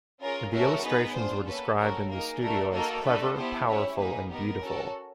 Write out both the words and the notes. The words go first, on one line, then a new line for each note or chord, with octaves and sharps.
The illustrations were described in The Studio as "clever, powerful and beautiful".
C#4 F4 G#4 A#4
A3 C#4 F#4 A4 A#4
B3 D#4 G#4 B4
D4 F4 G#4 C5
A#3 C#4 F#4 A4 B4
C#4 F#4 A4 A#4
A#3 D#4 G#4 A#4
A3 D4 F#4 A4 A#4
A#3 D#4 F#4 A4 A#4
A3 D4 F#4 A4 B4
B3 E4 G4 C5
C#4 E4 G4 C#5
A#3 D#4 G#4 B4
B3 D#4 G4 A#4
C#4 F#4 A4